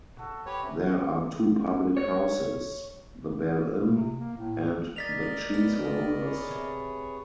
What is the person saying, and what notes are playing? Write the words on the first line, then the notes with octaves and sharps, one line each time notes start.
There are two public houses: the "Bell Inn" and "The Cheese Rollers".
F#4 A4 E5
G4 B4 C#5
C3 C#4
C#5
B2
C3
A#3
A2
A#4 D5 D#5 A6 B6 F7
F#3 B3
G#4 B4 C#5
C3